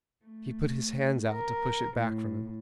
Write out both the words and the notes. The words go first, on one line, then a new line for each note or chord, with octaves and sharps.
He put his hands out to push it back from him.
A3
A#4
A2